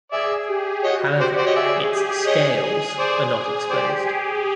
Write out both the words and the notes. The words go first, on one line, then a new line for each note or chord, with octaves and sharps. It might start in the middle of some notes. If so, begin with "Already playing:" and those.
However, its "scales" are not exposed.
G#4 D5 E5
G4
F#4 C#5 D#5
G4 C5 D5
C5 D5
C#5 D#5
G#4 D5 E5
G4
G#4 C#5 D#5
G#4
C5 D5
G4 C5 D5
G#4